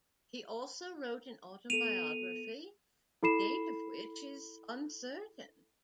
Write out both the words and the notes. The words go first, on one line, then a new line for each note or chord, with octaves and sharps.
He also wrote an autobiography, the date of which is uncertain.
B3 A4 D#7 F7
E4 A4 B5 C7 E7